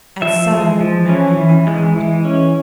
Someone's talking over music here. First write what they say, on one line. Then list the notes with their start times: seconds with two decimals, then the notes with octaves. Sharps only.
At seven, Marian went out.
0.22 F3 E5
0.51 G#3
0.80 F3
1.09 C#4
1.37 E3
1.67 G#3
1.96 E3
2.25 C#4